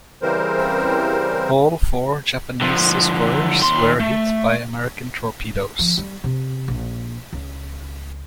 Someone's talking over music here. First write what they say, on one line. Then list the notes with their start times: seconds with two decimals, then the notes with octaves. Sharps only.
All four Japanese destroyers were hit by American torpedoes.
0.22 C#3 E3 G3 C4 A#4 C5
2.61 D3 F3
3.62 D#2 C6
4.00 A3
5.79 F3
5.98 G3
6.24 C3
6.68 A#1
7.33 C#2